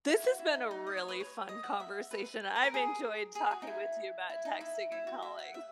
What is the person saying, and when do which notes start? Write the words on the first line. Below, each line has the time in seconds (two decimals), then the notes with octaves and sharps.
this has been a really fun conversation. I've enjoyed talking with you about texting and calling.
0.08 E4
0.24 F#4
0.39 E4
0.55 D#4
0.71 D#4
0.86 D#5
0.97 C#5
1.08 B4
1.20 C#5
1.49 D#5
1.64 F#5
1.80 E5
2.11 B4
2.56 B4
2.64 A#4
2.74 G#4
3.35 G#4
3.51 F#4
3.62 D#4
3.67 E4
4.30 E4
4.45 D#4
4.61 E4
4.92 E4
5.07 F#4
5.22 E5
5.39 F#5
5.54 E5